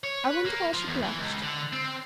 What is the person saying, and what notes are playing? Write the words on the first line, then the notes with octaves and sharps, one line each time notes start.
I wonder why she blushed.
C#5
B4
A#3
F3
E2
E3
C#2
D3
C4